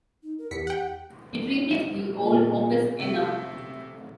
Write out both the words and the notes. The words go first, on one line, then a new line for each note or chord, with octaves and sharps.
It replaced the old opus nr.
D#4
A#4
E2 G4 B6 C#7
F#5 G5
A#2
C3 A3